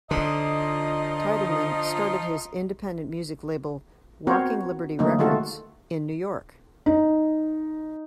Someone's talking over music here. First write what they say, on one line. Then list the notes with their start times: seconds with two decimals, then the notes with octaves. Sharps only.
Titelman started his independent music label Walking Liberty Records in New York.
0.11 D3 F3 D#4 F4 D#5
4.27 B3 C4 F#4 A#4 C5 C#5
4.99 D3 F#3 A3 A#3 D#4
5.19 D#3 G#3 A3 F4 F#4 A4
6.86 D#4